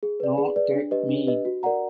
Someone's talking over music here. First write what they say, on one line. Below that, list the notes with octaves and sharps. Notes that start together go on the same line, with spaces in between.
Noh Tek Mi!
G#4
B4 D5
G#4
B4 D5
D4
G4 B4 D#5
D4
G4 B4 D#5
F#4
A#4 D5 F#5 A#5